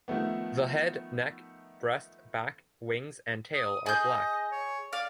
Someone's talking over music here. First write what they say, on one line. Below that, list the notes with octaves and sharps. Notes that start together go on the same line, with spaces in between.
The head, neck, breast, back, wings and tail are black.
D#3 F3 A3 B3
D#6
G#4 D#5 G6
C#5
D5 F5